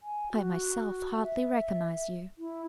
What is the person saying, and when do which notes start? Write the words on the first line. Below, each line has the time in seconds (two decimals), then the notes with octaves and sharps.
I myself hardly recognised you.
0.03 G#5
0.33 F#4
1.23 E5
2.38 E4